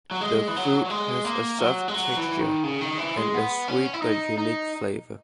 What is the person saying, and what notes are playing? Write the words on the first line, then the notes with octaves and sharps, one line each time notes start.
The fruit has a soft texture and a sweet but unique flavor.
F#3
G#3
E3
F#3
F#3
G#3
A#3
F#3
G#3
F#3
E3
D#3
C#3
D#3
E3
G#3
B3
C#4
E4
D#4
D#4